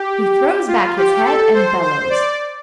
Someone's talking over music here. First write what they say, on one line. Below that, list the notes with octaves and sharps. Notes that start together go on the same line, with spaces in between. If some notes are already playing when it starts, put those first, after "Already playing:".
He throws back his head and bellows.
Already playing: G4
F4
G4
A4
C5
C5
D5